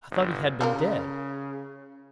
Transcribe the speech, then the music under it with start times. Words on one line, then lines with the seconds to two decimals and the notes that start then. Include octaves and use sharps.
I thought he had been dead!'
0.11 G1
0.61 C#3 G3 F4 A#4